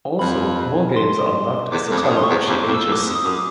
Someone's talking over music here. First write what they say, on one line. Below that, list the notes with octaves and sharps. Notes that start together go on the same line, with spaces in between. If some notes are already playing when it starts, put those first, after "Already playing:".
Also, more games are unlocked as the Tamagotchi ages.
F2 B5
C6
E2 D6
F2 D6
G2 D#6
F#2
C6
C#6
E2
F2 D6
F2
E6
E2
D6
D#6
F2
D#6
F#2 D6